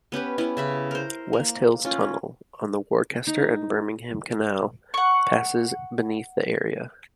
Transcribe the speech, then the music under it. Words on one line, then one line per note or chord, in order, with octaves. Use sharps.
Wast Hills Tunnel, on the Worcester and Birmingham Canal, passes beneath the area.
B3 C#4 G4 B4
B3 C#4 E4
C#3 E5 B5
A#4 C5
A#3
C#4 F4
D#4
F#5 C#6